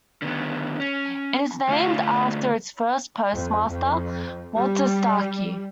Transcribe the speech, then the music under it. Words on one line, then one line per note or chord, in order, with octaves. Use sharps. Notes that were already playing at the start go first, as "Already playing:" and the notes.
It is named after its first postmaster, Walter Starkey.
D3 D#3 B3
C#4
D3 A3 C#4 F4 F5
F2
F2
G3